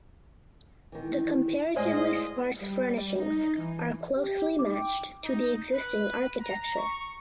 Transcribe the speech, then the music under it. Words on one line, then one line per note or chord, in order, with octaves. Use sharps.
The comparatively sparse furnishings are closely matched to the existing architecture.
D#3 E3
A2 G#3 F4 G#4 C5 D5 D#5 G#5
G3
D#4
E3
G4
D#4 D6
G5
D#4
B4
A#5
C#6